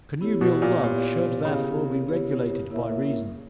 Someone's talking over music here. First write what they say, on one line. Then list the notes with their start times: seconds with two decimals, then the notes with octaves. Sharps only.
Connubial love should, therefore, be regulated by reason.
0.21 B3 E4 G4 C#5
0.41 B2
0.62 A#2
0.83 A#2 B3 E4 G4 C#5
1.45 C#3 B3 E4 G4 C#5
2.07 B3 E4 G4 C#5
2.70 A#3 E4 A#4 C#5 E5